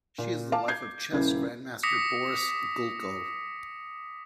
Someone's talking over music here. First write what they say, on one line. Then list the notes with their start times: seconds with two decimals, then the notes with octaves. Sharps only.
She is the wife of chess grandmaster Boris Gulko.
0.18 A#2
0.52 F5 A5 D6
0.68 G6 G#6 C7
1.12 D#1 C#3 E4 G#6
1.83 D6 D#6 A#6 B6 C#7